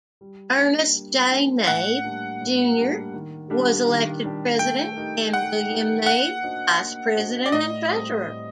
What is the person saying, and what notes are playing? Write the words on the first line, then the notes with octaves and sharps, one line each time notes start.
Ernest J. Knabe, junior was elected president and William Knabe, vice president and treasurer.
G3
A#3 D4
G3
A#3 D4
A2 F#5
G3 A#3 D4
A2
G3 A#3 D4
D#3
G3 D4 G4
D#3
G3 D4 G4
A3 G5
D#4 G4 A#4
A3 F#5
D#4 G4 A#4
A#3 F#5
D4 F#4 C5 D#5
A#3
D4 F#4 C5 D#5
D5
A2 D#5
G3 C4
A2